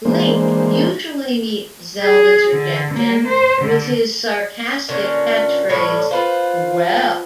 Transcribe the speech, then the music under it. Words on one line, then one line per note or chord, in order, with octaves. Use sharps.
Link usually meets Zelda's rejection with his sarcastic catchphrase, Well!
E3 G#3 A#3 D4 C5
G#4
D3
A#3
C5
D3
A#2 D3 C#4
A2 G3 C#5
F4 B4 C5 F5